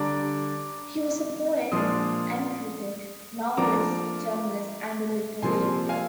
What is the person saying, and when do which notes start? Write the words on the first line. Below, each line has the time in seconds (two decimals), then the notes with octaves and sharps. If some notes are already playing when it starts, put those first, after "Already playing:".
He was a poet and critic, novelist, journalist and literary editor.
Already playing: D3 G3 D4 A#5 D6
1.71 A#2 F3 G#3 D4 C6 D#6
3.57 F3 A#3 D4 A#5 D6
5.42 C3 F3 A#3 G#5 C6
5.89 F5 G#5